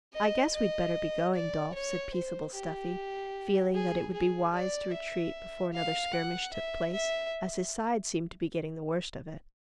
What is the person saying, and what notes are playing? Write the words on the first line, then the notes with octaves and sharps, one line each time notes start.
'I guess we'd better be going, Dolf,' said peaceable Stuffy, feeling that it would be wise to retreat before another skirmish took place, as his side seemed to be getting the worst of it.
D#5
D#5
D5
C#5
C5
G4
G#4
G#4
D5
E5
F5
F#5
E5
E5